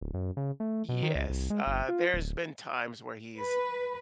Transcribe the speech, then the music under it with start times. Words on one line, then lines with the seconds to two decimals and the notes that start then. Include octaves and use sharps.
yes, uh, there's been times where he's
0.01 D1
0.14 F#2
0.37 C#3
0.60 A3
0.89 B2
1.03 D#3
1.15 C#2
1.29 C2
1.50 G#3
1.67 G1
1.89 F4
2.14 D1
3.38 B4